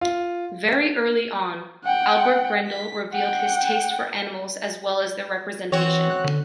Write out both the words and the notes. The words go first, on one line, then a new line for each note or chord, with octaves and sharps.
Very early on, Albert Brendel revealed his taste for animals as well as their representation.
F4
F#5 G5
B6
F#5 G5
E3 C4 F#4 C#5
F#6
D3